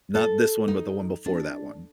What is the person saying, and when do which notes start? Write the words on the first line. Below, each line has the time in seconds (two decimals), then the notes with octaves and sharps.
not this one, but the one before that one.
0.15 A4
0.68 D#4
1.26 D4